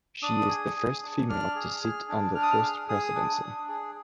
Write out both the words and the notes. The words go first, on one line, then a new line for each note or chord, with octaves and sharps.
She is the first female to sit on the First Presidency.
D4 D#6
G#4
G#4
D4
D4 F6
G#4
G#4
D4
D4 F6
D#6
F6
G#4
G#4 D#6
D4
D4
G#4